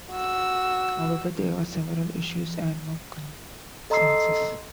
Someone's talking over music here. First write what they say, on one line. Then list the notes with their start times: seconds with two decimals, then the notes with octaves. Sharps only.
However, there are several issues and no consensus.
0.11 F#4 E6
3.90 A4 D#5 A#5 C6 E6 C7